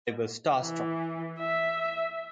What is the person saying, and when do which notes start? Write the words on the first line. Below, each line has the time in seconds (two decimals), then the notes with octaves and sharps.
I was star-struck.
0.61 E3
1.39 E5